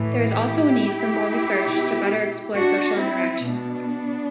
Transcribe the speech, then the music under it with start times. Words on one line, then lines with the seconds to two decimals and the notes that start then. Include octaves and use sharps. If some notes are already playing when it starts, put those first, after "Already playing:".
There is also a need for more research to better explore social interactions.
Already playing: A2 E3
0.31 E4 G4
1.65 B2
2.54 D4 F#4
2.99 C4 E4
3.43 B2 B3 D4